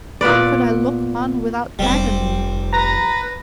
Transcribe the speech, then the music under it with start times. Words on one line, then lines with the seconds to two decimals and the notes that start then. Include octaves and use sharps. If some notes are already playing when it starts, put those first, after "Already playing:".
How could I look on without agony?
0.21 A#2 B3 B4 D5
1.79 F1 G3 C4
2.73 B4 A#5 A#6